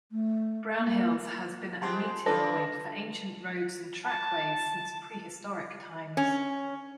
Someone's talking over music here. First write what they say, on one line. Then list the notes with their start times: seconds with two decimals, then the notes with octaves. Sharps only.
Brownhills has been a meeting point for ancient roads and trackways since prehistoric times.
0.12 A3
0.78 A#3
1.82 G#3 C4 G4 A5 C6
2.26 D3 F3 D4 A4 B4 D5 A5 A#6
4.04 A5
6.17 C#4